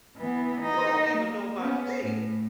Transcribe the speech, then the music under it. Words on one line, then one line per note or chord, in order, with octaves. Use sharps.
You don't even know my name."
E3 B3
D#4
A#3
B3 C#4
A2